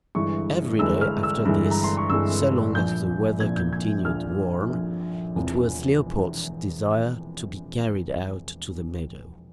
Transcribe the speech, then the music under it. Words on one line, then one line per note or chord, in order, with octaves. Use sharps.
Every day after this, so long as the weather continued warm, it was Leopold's desire to be carried out to the meadow.
G1 G2 E3 G#3 C#6
G1 G2 E3 G#3 E6
F6
E6
G1 G2 E3 G#3
A#5
C6
C#6
G1 G2 E3 G#3 E6
A#1 A#2 F3 G6
A#1 A#2 F3 G#6
G6
G#6
A#1 A#2 F3 F6
A#1 A#2 F3
E1 E2 C3 F3